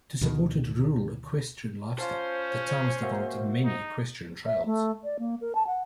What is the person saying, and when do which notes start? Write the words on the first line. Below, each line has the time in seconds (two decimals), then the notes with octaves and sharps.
To support its rural-equestrian lifestyle, the town has developed many equestrian trails.
0.21 D2 B2 D#3
1.98 C#4 F4 C5 F5 A5
3.02 A#3 F#4 E5
3.65 D#4
4.46 E5
4.66 A3
5.04 D5
5.19 A#3
5.41 A#4
5.55 A5
5.67 F#5